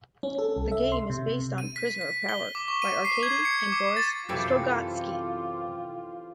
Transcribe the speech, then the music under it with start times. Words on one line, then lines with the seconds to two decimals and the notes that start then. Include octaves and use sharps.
The game is based on "Prisoner of Power" by Arkady and Boris Strugatsky.
0.23 C#4
0.38 A4
0.56 C2
0.72 E5
0.92 C6
1.10 C3
1.58 D#7
1.76 B6
2.01 B6
2.29 G7
2.55 D6
2.68 C#6
2.82 D#7
3.05 C7
3.23 G#6
3.45 C#7
3.72 D6
3.97 A6
4.29 F#2 C3 E3 C4 F4 G4 A4